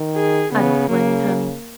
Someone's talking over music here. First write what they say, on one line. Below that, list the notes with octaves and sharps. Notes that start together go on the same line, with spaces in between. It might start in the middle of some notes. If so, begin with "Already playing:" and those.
I don't blame you, honey.
Already playing: D#3
G#4
C#3 B3
C#3 A#3